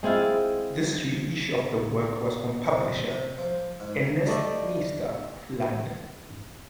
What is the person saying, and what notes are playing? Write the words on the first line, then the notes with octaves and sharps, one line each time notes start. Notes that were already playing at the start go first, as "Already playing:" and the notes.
This reissue of the work was from publisher Ernest Nister of London.
G#3 C4 E4 F4
C3
C3
F3
G#2
G3 A3 D5 D#5